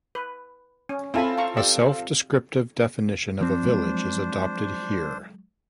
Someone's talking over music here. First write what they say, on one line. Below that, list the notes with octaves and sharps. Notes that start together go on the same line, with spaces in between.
A self-descriptive definition of a village is adopted here.
B4
C#4
C4 E4 F4 A4 G#5 B5
F5 A#5 C#6
G4 D5 E6
F3 C4 D4 C5
F#3 G#3